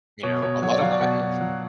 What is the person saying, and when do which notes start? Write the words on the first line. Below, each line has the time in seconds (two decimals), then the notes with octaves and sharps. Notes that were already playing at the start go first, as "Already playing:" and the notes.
you know, a lot of women
0.23 B2 C#5
0.42 B2 C#5
0.62 F#3 C#5
0.71 D5
0.81 F#3 F5
0.91 D5
1.01 B2 F#5
1.21 B2
1.41 F#3